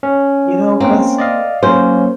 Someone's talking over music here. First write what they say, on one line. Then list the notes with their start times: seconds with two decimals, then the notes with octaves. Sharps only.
You know? 'Cause,
0.03 C#4
0.80 A#3 C4
1.18 D5 D#5 F5
1.63 F#3 A#3 C#4 C5